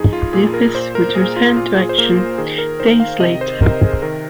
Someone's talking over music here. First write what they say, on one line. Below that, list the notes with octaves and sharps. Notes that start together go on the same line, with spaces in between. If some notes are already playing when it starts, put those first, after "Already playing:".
Dupuis would return to action days later.
Already playing: F2 D#4 G#4
F4
A#2 G#4
A#4
A#2 C5
A#4
A#2 G#4
F4
A#2 F4
G#4
C5
A#3 A#4
F4
D#3 G#4
A#4
D#3 C5
F5
C3 D#5
C5
C3 A#4
G#4
D#3 A#4